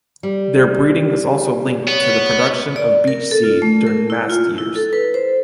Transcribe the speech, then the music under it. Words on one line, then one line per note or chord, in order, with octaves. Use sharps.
Their breeding is also linked to the production of beech seed during mast years.
G3
B3 C#5
D5
A#4
A4
F4
A3
A#4
E4
F4
E4
A4
B4
C5